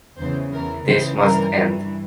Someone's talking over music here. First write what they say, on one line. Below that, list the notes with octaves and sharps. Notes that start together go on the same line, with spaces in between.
This must end.
E2 C#3 E3 C5
E2 E3 A#4
C#2 C#3 E3 C5
G2 E3 A#4
G2 E3